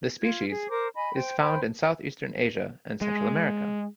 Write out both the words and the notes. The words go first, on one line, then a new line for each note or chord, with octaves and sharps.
The species is found in Southeastern Asia and Central America.
F4 G#6
G#4
A#4 C5 D6
D#5 G#5 B5
C5 G5
C5 G5 B5
G#3